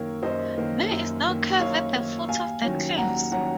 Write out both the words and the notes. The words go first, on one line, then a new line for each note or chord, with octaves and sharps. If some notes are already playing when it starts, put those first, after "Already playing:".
There is no cave at the foot of the cliffs.
Already playing: F#2 D#3 A#3 A#4 C#5
F#2 C5 D#5
D#3 A#3
F#2
D#3 A#3
F#2 C#5 F5
D#3 A#3
D#2 F5 G#5
D#3 F#3 C#4
D#2 F#5 A#5
D#3 F#3 C#4 F#5 A#5